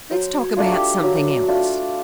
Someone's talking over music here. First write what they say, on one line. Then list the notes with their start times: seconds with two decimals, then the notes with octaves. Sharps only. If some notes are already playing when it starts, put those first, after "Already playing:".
Let's talk about something else.'
0.11 F#3 C5
0.41 C#5
0.56 A3 D4 F4
0.72 G4
1.03 F#3
1.48 A3 D4 F4